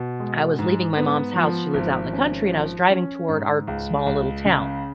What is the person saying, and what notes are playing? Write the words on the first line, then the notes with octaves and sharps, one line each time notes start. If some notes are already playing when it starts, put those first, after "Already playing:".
I was leaving my mom's house- she lives out in the country- and I was driving toward our small little town.
Already playing: B2
G#3
G#2
B3
F3
G#1
C#4
F3
C#4
G#2
C#2
C#2
C#3